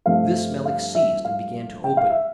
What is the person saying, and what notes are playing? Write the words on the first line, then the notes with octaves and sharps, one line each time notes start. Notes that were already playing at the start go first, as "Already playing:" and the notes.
This Melick seized and began to open.
G2 F3 A3 C4 F5
F5
E5
F5
G5
F5
E5